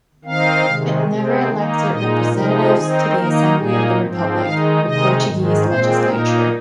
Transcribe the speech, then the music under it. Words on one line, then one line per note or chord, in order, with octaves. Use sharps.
It never elected representatives to the Assembly of the Republic, the Portuguese legislature.
D#3 C4 D#4 F5
C3 D#3 G#3
C3 G#3 C4
D#3 A#3 D#4
A#2 G#3 D#4 D#5
C3 F3 G#3 D#4 A#4
D#3 C4 D#4 G#4
D#3 A#3 D#4 A#4
A#2 A#3 D#4 G#4
G#2 F3 C4
D#3 G#3 D#4 F5
C3 D#3 G#3 D#4 D#5
G#2 D#3 G#3
A#2 G#3 C4 C5
A#2 A#3 D#4 A#4